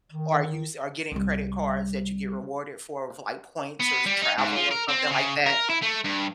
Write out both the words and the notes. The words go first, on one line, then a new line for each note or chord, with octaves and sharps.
or use or getting credit cards that you get rewarded for with, like, points or travel or something like that.
D#3
C2 G3
B3
G3
D#4
G#2
F3
A#4
C4
C#3
A#4
E4
A3
G2